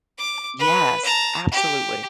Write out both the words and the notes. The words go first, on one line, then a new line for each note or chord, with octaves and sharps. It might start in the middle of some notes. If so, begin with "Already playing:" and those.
Yes, absolutely.
D6
B4
A5 A#5
G4